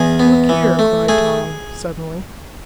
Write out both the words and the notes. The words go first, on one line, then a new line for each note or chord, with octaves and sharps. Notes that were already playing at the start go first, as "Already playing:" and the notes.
"Look here!" cried Tom, suddenly.
Already playing: E2 G#4
B3
E3
A3
A3 G#4